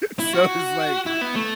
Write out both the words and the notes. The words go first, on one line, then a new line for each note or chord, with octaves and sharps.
so it's like,
E4
F#4
E4
B3
A3